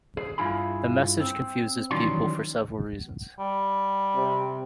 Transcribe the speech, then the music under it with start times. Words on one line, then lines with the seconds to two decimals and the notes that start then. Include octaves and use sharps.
The message confuses people for several reasons.
0.17 G#4
0.38 G2 C#3 E4 F4 G#4 B5
1.20 C4
1.91 D#3 E3 F#3 G3 C#4 C6
3.39 G3
4.15 C3